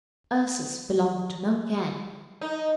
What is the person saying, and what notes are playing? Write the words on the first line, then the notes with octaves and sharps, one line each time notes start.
Ursus belonged to no gang.
D#4